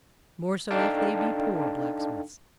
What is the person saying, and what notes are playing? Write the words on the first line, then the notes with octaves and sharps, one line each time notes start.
"More so if they be poor blacksmiths."
D4 D#4 A4 F5 G5 A5